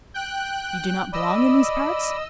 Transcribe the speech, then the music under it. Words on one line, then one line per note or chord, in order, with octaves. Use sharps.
"You do not belong in these parts?"
G5 F#6
D5 D#5 B5 E6